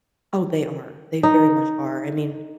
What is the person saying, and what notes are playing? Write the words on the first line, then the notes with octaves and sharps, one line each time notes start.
Oh, they are. They very much are. I mean,
D#4